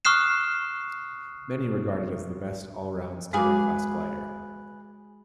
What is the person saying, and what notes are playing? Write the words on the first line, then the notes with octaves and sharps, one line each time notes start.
Many regard it as the best all-round standard class glider.
C#6 D#6 F6 F#6 C7 E7
G#3 F#4 G#4 B4 F5 D6